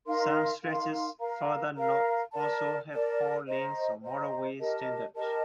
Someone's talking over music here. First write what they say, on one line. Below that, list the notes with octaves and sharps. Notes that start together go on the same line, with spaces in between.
Some stretches further north also have four lanes or motorway standard.
D#4 A#4 F5 C6
D#4 A#4 F5 C6
A#4 F5 A#5
A#4 F5 A#5
A#4 D5 A5
A#4 D5 A5
C5 D#5 A#5
C5 D#5 A#5
G4 A#4 D#5 A5
G4 A#4 D#5 A5